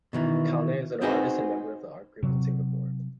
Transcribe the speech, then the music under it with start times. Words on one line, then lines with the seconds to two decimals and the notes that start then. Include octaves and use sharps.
Calne is an artist and member of the art group in Singapour.
0.13 B2 D#3 E3
1.02 C4 D#4 F#4 G#4 B4 C5
2.23 C3 F#3